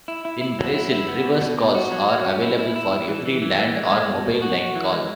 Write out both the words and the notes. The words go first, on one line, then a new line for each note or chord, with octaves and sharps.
In Brazil, reverse calls are available for every land or mobile line call.
E4
E4
E4
F#3
E4
E4
B3
B2
B2
B2
F#4
F#3
F#3
C#4
E4
E4
E4
E4
E3
E3
E3
E3
G#3
G#3
B2
B2
F#4
F#4
E3
G#3